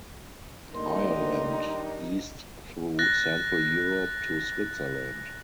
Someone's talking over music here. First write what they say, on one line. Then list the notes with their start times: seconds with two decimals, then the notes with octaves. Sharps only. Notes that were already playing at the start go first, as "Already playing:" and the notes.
Ireland east through Central Europe to Switzerland.
0.75 D#3 G3 A3 A#3 D4 D#4 C6
2.99 F#6 A6 A#6